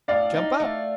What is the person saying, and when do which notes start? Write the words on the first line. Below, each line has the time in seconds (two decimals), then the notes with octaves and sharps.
"Jump up."
0.08 A2 D5 F5
0.34 D#4
0.60 A3